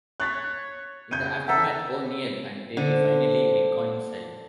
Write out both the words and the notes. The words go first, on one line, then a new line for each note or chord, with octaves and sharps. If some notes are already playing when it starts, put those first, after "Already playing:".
In the aftermath, O'Neill and Terry finally reconcile.
C#5 F#6 A6 B6
C#3 G6 G#6 D#7
A4 E5 F#5 A#5
D3 C5